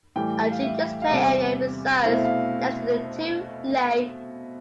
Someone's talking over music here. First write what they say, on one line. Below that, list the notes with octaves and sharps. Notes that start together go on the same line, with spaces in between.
A children's play area resides next to the two lakes.
A2 E3 G3 G5
F5
E5
F5
E2 C3 G3 C4 E5
B2 A3 C4 E4 F5
E5
F5